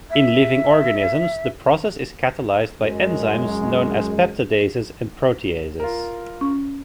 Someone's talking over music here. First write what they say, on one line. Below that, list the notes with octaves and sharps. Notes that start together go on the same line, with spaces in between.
In living organisms, the process is catalyzed by enzymes known as peptidases or proteases.
E5
F#2 G#3
F4 A#4
C#4